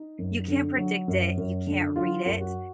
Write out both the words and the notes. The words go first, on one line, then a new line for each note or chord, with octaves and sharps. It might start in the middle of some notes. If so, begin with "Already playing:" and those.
you can't predict it, you can't read it,
Already playing: D#4
F#2
D3
F#3
F#2
F#2
D3
F#3 F4
F#2
F#4